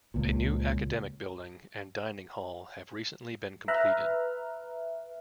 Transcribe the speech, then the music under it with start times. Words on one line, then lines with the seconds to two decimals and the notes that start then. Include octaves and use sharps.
A new academic building and dining hall have recently been completed.
0.14 C#2 A#2
3.68 B4 E5 A#5 F6 F#6